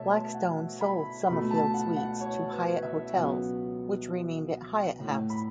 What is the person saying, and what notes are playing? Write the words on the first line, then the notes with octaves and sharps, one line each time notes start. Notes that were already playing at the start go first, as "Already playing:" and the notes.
Blackstone sold Summerfield Suites to Hyatt Hotels, which renamed it Hyatt House.
Already playing: B2 A3 C#5 E5 A5
F#5
B5
C#2 B2 A3 B5
A5
F#5
F#5
C#5
B4
E5
C#2 B2 F#3 B3 F#5
A2 A3
B5